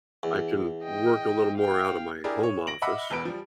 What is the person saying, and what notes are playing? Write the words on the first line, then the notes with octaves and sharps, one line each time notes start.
I can work a little more out of my home office
E2
D#5 G5
F5 G5
D4 E4 G4 G#4 A#4 D5
C#5
A#6 D7 F#7
D#5 E5 F#5 B5 D6 E6
E1 E2 B4 D7
F3 G3